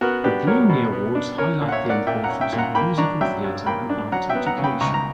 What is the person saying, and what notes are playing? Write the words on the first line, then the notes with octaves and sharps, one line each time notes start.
The Blumey Awards highlight the importance of musical theater and arts education.
B3 F#4 A#4
D4 G4 B4
F#3 A#4 C#5
B2
B3
D4
C#4 A#4 C#5
A#2
F#5
C#5 E5
A#3
D5 F#5
A#2 E5 G5
F#5 A#5
C#4
E5 G5
A#2
F#5 A#5
A#3 G5 B5
D4 A#5 C#6
F#3 E5 G5
G2
A#3 G5 B5
D4
F#3 F#5 A#5
E5 G5
B3
F#5 A#5
C#3
G5 B5
C#2 A#5 C#6
A#5